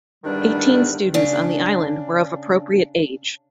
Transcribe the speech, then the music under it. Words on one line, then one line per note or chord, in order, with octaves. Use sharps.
Eighteen students on the island were of appropriate age.
E2 G2 D3 D#3 G3 D4
C#3 D4